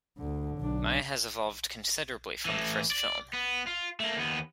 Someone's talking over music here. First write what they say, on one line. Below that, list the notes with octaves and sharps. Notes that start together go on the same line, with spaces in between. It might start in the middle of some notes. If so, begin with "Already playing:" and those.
Maya has evolved considerably from the first film.
D2 D3
B1 D4
A2 E3
D5
B3
F4
A3 A#3
D#2 B3